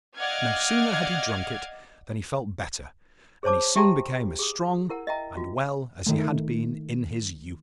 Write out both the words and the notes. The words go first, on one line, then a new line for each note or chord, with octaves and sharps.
No sooner had he drunk it than he felt better, and he soon became as strong and well as he had been in his youth.
D5 D#5 F5 F#5 F6 G#6
G#4 C5 C#5 A5 D6
G4 E5 G5 A5 A#5 C6
G#4 D#6
E4 A#4 F#5 A#5
D#5 E5 G5 A#5
F4 F#4
D#3 A3